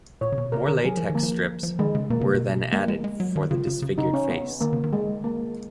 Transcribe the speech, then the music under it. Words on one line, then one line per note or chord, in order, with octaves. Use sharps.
More latex strips were then added for the disfigured face.
A#2 C#5
C#3
B2
C#3 A#4
D#3 A#4
F#3 G#4
F3
D#3
A#3
F3
F3
D#3 G#3
C#3
B2 A#3
C#3
B2
G#3 A#3
G#3
G#3
F#3
D#3
C#3 F4
C#3
C#3
C#3 D#4
C#4
B3
D#3 A#3
C#3
D#3
G#3
A#3